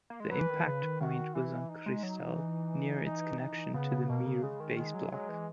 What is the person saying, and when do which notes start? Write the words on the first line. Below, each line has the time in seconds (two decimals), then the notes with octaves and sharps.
The impact point was on Kristall, near its connection to the Mir base block.
0.10 A#3
0.20 G#3
0.30 F#3 B4
0.39 E3
0.50 D#3
0.66 C#3 B4
0.83 D#3
1.01 D#3 F#4
1.35 E3 E4
1.69 D#4
1.86 G#3
2.03 F#3
2.21 E3
3.06 D#4
3.40 D#4
3.74 C#3 B3
3.91 C#3
4.09 B2 A#3
4.26 C#3
4.43 C#3 G#3
4.60 D#3
4.77 D#3 G#3
4.94 F#3
5.12 F#3 G#3
5.29 E3